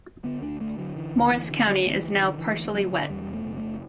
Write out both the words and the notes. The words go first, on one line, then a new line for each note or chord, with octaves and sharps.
Morris County is now partially wet.
D3 B3
D2 D4
D2 A3
D3 F#3
D3 E3
D2
D3
D2 E3
D3
D3 F#3
D2
E3
D2
E3
D3
D3 E3
D2
D2 F#3
D3
E2 G3
G3
B2
A3
F#1
A3
F#1